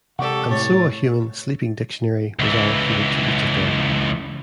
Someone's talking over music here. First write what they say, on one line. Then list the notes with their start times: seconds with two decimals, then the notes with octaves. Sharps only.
And so a human "sleeping dictionary" was allocated to each of them.
0.19 C3 G#3 G4 A4 D5 F#5 C#6
0.50 A2 C#5 A6
2.40 C#2 E3